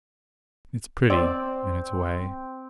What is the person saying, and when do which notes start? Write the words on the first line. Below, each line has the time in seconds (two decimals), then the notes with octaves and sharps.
It's pretty in its way.
1.10 C4 D5